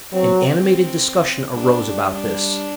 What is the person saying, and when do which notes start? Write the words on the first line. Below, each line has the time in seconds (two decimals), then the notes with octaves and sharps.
An animated discussion arose about this.
0.12 F#3 C4
0.41 C4
1.54 G3 D4
2.11 D4